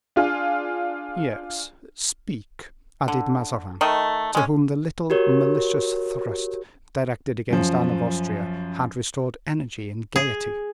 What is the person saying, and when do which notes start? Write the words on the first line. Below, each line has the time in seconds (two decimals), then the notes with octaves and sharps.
"Yes, speak," added Mazarin, to whom the little malicious thrust directed against Anne of Austria had restored energy and gayety.
0.16 D4 F4 G#4
3.08 D3
3.81 D#3 A3 D#5
4.35 G#3 C#4
5.10 F#4 G4 A#4 C#5
7.50 F#2 F3
10.16 G#4